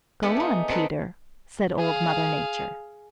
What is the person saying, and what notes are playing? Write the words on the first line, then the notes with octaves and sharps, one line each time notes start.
"Go on, Peter," said Old Mother Nature.
B3 D4 E4 G4 A4
D#4 G#4
B3 C4 D4 D#4 A4 B4
G#4 F5